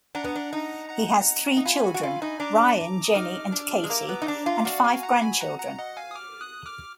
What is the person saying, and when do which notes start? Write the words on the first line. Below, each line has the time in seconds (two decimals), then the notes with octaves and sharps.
He has three children: Ryan, Jenny, and Katie, and five grandchildren.
0.15 D4 F#5 A#5
0.24 B3
0.36 D4
0.53 D#4
0.89 F#5 A#5
1.57 D#4
1.65 F4 G#5 B5
1.84 F#4
1.94 F#4
2.03 F4
2.22 D#4
2.40 D4 A#5 D6
3.04 D#6
3.15 D#4 D6 F6
3.52 D4
3.84 G#3
3.90 A#3 A#5 D6
4.09 B3
4.22 D#4
4.28 D4
4.46 F4
4.65 F#4 D5 F5
4.84 F5 G#5
5.03 F#5 A#5
5.16 D6
5.21 G#5 B5
5.41 F#5 A#5
5.60 F#5 A#5
5.79 D#5 F#5
5.97 F5 G#5
6.11 D#6
6.15 D6 F6
6.41 D#6 F#6
6.66 D6 F6